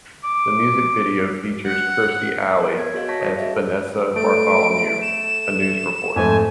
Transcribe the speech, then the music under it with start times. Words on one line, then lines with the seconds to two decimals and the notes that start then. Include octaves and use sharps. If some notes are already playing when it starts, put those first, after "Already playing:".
The music video features Kirstie Alley as Vanessa Bartholomew, a news reporter.
0.24 D6
1.66 F#5
2.58 A#4 C#5
2.77 B3 G#6
2.94 F#4 G#4 C#5 D#5 F5
3.08 C#5 A5 C#6 A#6 B6
3.21 D#6
3.39 F#4 G#4 D#5 E5
4.16 A3 D7
5.02 E7
6.16 F2 G#2 A3 G#5